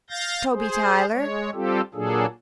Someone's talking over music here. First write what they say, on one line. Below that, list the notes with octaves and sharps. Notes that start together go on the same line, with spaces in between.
"Toby Tyler."
F5 G6 A6 A#6
G#4 C5
G#3 C#5
G3 C4 F4 G4 A4
A#2 F#3 A#3 D4 G#4 A4